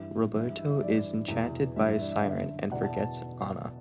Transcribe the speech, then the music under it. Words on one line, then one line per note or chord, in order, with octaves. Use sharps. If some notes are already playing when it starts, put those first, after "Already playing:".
Roberto is enchanted by a siren, and forgets Anna.
Already playing: G2 E3 E5
G2 E3 E5
E5
E5
E5
G2 E3 D5
E2 B2
G2 E3 E5
E5
D5
E5
F#2 D3
E2 B2 D5 F#5
F#5 A5
A5